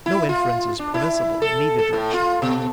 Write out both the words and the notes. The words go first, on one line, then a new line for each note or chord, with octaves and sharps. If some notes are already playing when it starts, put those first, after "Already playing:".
No inference is permissible in either direction.
E4
F4
D4
E4
A4
A4
A2
F4
B2